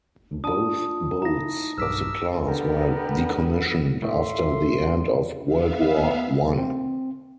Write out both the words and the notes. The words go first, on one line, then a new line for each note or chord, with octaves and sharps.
Both boats of the class were decommissioned after the end of World War I.
D4 F4 A5 D#6
D#4 E4 A#5 A#6
B1 G2 D6 E6 F6 B6
D3 B3 G4 A4 A#4
A2 A#3 A4 E5 C6
B3 E5 F5
C4